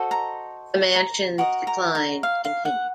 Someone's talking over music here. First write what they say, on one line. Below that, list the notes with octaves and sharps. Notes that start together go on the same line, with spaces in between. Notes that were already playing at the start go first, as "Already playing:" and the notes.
The mansion's decline continued.
Already playing: F#4 A4 C5 D#5
A#5
A#5
F#4 A#4 D#5 A#5
A#5
A#5
F5
F5
F#5